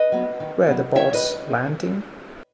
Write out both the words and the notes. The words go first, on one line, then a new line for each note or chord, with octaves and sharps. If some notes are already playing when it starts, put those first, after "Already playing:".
Were the boats landing?
Already playing: B4 D#5
F#3 B3
D#3
F#3 B3
D#3 C#5 E5
B4 D#5